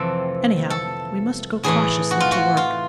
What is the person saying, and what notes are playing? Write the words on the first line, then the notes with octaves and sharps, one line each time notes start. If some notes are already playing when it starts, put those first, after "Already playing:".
Anyhow, we must go cautiously to work.
Already playing: F2 C3 E3 A3 C4 A4
A4
A2 E3 A3 G#4
F#4
F4
F#4
F4